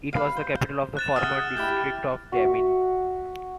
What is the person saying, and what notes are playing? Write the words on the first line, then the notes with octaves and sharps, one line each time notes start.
It was the capital of the former district of Demmin.
B4 F5
C5
F#6 A6 E7
G#4 E5 F#5 F6
E4 G4 G5
F#4 E5